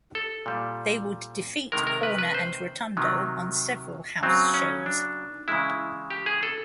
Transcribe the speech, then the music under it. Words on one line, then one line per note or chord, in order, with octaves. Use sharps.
They would defeat Horner and Rotundo on several house shows.
A4
A#2 G3
C3 D#3 G#3 A#4
A#4
B4
B4
C5
C3 D#3 F#3
C#3 F#3 C4
C#4
D4
C#3 E3 G#3 E4
G4
G#4
A4